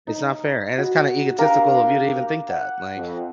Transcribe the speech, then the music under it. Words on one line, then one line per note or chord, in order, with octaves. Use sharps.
It's not fair, and it's kinda egotistical of you to even think that. Like,
D#4
F#4 B5
D4 G4 A#4 F5
F#5
F2